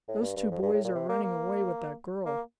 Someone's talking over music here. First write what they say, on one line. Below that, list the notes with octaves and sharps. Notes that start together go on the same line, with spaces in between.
"Those two boys are running away with that girl!"
A2
G2
G2
F2
G2
A2
A#2
C3
A#3
A#3
A#3